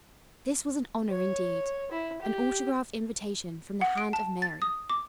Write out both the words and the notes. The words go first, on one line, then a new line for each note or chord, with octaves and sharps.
This was an honor indeed--an autograph invitation from the hand of Mary!
C#5
E4
G4
F#5
D7
A5
A6
D#6
D6